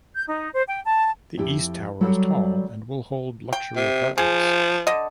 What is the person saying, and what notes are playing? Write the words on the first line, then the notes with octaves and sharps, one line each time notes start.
The East Tower is tall and will hold luxury apartments.
G6
D#4
C5
G5
A5
F2 E4 G4
F#3 G3 F#4 A4 F#5
G5
C3
F3 G#4
D3 D#5